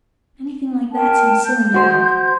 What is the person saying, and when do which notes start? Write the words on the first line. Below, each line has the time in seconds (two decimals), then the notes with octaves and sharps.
Anything like that seems silly NOW.
0.92 A#4 G5 A5
1.42 G6
1.74 F#4 C5